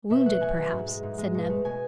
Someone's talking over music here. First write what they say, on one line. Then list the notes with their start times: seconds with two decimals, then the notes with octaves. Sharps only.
"Wounded, perhaps!" said Neb.
0.10 B2 E5
0.25 F#3 A3 F#5
0.41 B2 G#5
0.57 F#3 A3
0.72 G#2
0.87 G#3
1.03 G#2
1.18 G#3
1.34 B2
1.49 A3
1.65 B2 G#5